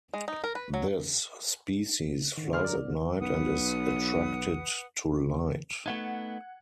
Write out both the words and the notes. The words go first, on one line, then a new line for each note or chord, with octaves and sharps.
This species flies at night and is attracted to light.
G#3
D#4
A#4
B4
F#3
A2 D3 D#3
D3 A3 G#4 B4 C6 F6
D3 F#3 A#4 D5
G#2
B1 B4 F#5 D#6
A3 B3 D#4 F#5 G#6